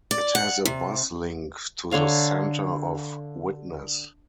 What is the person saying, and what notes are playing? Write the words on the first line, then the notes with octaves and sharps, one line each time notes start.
It has a Bus Link to the centre of Widnes.
D5
F#5
C3
D3 C#5 F5 A#5